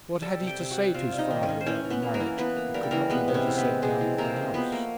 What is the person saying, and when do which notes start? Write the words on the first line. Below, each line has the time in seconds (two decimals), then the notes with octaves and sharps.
What had he to say to his father about the marriage that could not be better said down at the house?
0.22 G3 A4 A5
0.40 C3
0.47 G4 G5
0.59 C3
0.71 F#4 F#5
0.77 G3
0.94 C3 F4 F5
1.13 G3
1.18 D#4 D#5
1.31 D#3
1.43 C#4 C#5
1.49 D#3
1.61 C5
1.66 E3 C#4 C#5
1.85 E3
1.90 B3 B4
2.02 A#3
2.14 A#3 A#4
2.20 E3
2.38 E3 B3 B4
2.56 A#3
2.74 G3 A#4
2.83 A4
2.91 E3 A#3 A#4
3.10 G#3 B3 B4
3.28 C3
3.34 C#4 C#5
3.46 E3
3.58 B3 B4
3.65 G#3
3.82 C3 G#3 G#4
4.01 E3
4.18 C3 A#3 A#4
4.36 G#3
4.54 F3 B3 B4
4.72 A3 A#3 A#4